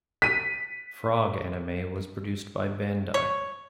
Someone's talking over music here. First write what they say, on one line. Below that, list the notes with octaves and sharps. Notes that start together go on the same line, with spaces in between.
Frog anime was produced by Bandai.
B6 D#7
C#5